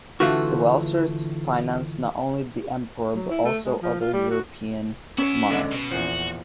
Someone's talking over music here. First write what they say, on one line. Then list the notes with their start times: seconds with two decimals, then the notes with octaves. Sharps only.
The Welsers financed not only the Emperor, but also other European monarchs.
0.20 D3 E3 A3 F4 F#4
3.15 F#3
3.30 E4
3.44 A3
3.65 G#3
3.82 F3
4.01 F4
4.13 G3
4.30 F#4
5.18 B3 C#4 E4 C#5
5.50 D3 G#3 D5
5.72 B2
5.91 E2 A#2 F3 F#4